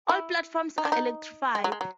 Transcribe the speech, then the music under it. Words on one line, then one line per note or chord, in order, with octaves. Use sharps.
All platforms are electrified.
E4
D#4
D4
D#4
G#3
F#3
G#3
F#3